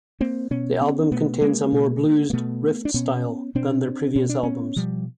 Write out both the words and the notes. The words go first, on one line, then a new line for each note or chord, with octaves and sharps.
The album contains a more blused riffed style than their previous albums.
A#3 C4
B2 B3 C#4
C4
B3 C#4
B2 A3 B3
G#3 A#3
B2
A#3
B2 A3 B3
D4
B2 B3 C#4
B2 C4 D4
B2 C#4
D4
B3 C#4
B2 F3 G3